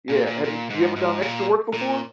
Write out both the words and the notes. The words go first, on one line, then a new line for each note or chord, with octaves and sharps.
Yeah, have you you ever done extra work before?
A#2
A#2
A#2
G#2
G#2
A#2
A#2